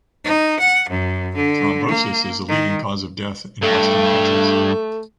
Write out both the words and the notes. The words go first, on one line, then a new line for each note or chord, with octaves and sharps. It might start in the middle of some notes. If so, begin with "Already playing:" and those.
Thrombosis is the leading cause of death in western countries.
D#4
F#5
F#2
D3
A#3
D#3
G2 A3